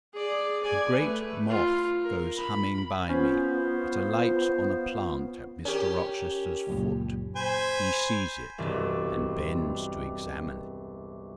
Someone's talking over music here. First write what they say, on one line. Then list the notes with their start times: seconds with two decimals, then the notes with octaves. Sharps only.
A great moth goes humming by me; it alights on a plant at Mr. Rochester's foot: he sees it, and bends to examine it.
0.14 G#4 D5
0.63 D5 G#5
0.97 A3 B4
1.49 F4
2.04 A#4
2.37 B5
3.09 B3 C#4 F4 C5
5.65 C#4 G4 A#4
6.67 C#2 F#2 A#2
7.36 C5 G#5 B5
8.58 E1 C2 G2 A6